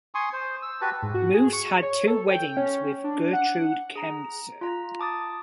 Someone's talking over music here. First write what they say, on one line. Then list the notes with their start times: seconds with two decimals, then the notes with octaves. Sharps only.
Muuss had two weddings with Gertrude Kremser.
0.15 G#5 C6 C#6 D#6
0.33 C5
0.62 E6
0.81 F#4 G4 B4 A5
1.02 G#2
1.14 F#4
1.34 G#4
1.53 C#6
1.82 C#5
2.08 A4
2.31 G5
2.57 C#4
3.04 D4
3.33 F#5
3.96 G#4 A#5
4.61 F4 A#5
4.99 A5 D6 D#6 A6